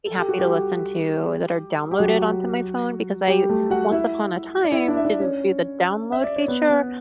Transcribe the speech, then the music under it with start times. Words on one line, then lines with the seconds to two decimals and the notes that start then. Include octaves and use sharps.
be happy to listen to, that are downloaded onto my phone because I, once upon a time, didn't do the download feature
0.07 A4
0.18 G4
0.29 F#4
0.39 G3 G4
1.91 G4
2.00 F#3 F#4
3.27 G3 G4
3.49 A3 A4
3.70 F#4 F#5
3.92 E4 E5
4.64 D5
4.72 E4 E5
4.88 D4 D5
4.97 E5
5.05 D4 D5
5.20 C#4 C#5
6.12 E5
6.24 D5
6.36 C#5
6.48 B3 B4
6.69 B3 B4